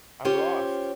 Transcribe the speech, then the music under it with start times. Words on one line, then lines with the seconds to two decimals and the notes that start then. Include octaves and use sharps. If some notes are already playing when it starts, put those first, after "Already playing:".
I am lost!
0.25 C#4 F4 G4 C5 C#5